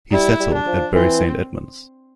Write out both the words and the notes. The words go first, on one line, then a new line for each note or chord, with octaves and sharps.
He settled at Bury Saint Edmunds.
G3 E4
G3
D4
F3
E3 C4